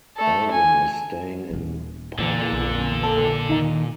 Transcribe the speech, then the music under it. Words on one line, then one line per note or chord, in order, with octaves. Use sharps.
Alvyn is staying in Porvorim now.
A3 A4
G#5
D#1 D4
A#2 D3 E3
A#1
A4
D#2 D#3 D#4